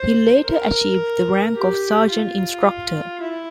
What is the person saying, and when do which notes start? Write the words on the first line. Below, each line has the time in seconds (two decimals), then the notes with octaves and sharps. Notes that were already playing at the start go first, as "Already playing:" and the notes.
He later achieved the rank of Sergeant Instructor.
Already playing: C5
0.46 A#4
1.55 G4
2.10 F4
3.20 E4